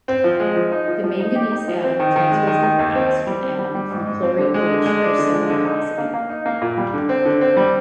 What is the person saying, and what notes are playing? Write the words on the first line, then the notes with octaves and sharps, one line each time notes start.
The manganese atom transfers an oxygen atom from chlorine bleach or similar oxidant.
C4
F3
G#3
F3
D#4
F3
F3
D#4
G4
D#4
F3
C4
D#3
D#3
G#3
D#3
D#3
D#2
C4
C4
G3
C4
G3
G3
G#2
G#2
C4
D3
G#3
D3
G#3
D4
D3
G#3
D3
D#4
D#4
A#3
A#3
D#4
A#3
A#2
G3
D3
C4
D3
C4
G3